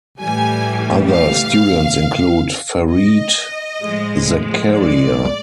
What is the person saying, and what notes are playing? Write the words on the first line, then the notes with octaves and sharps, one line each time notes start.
Other students include Fareed Zakaria.
A2 E3 G3 G#5
F5
D#5
A2 F3 G#3
D5